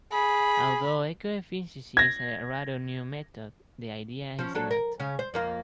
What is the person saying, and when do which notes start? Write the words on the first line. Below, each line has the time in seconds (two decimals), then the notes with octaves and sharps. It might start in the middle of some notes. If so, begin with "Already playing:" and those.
Although eco-efficiency is a rather new method, the idea is not.
0.13 G#4 B5
1.97 G#6 A#6
4.39 F3 C#4
4.55 F#3 D4 A4
4.71 A#4
5.00 C#3 C#4
5.19 C5
5.34 F2 A#3 F4